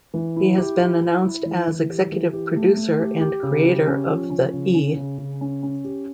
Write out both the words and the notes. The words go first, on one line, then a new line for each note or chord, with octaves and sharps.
He has been announced as executive producer and creator of the E!
E3
E4
G4
E4
E4
E4
E3
E3
G4
E3
G4
A3
A3
G4
G4
C#3
G4
C#4
F3
C#4
C#3
C#4
C#3
C#3
C#4
C#4
G4